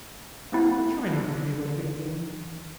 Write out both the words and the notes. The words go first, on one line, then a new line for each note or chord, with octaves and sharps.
I'll try not to be like it again.
A#3 C4 E4 F#5 C7